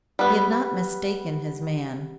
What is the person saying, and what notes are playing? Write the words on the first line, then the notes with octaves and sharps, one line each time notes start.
He had not mistaken his man.
G3 B3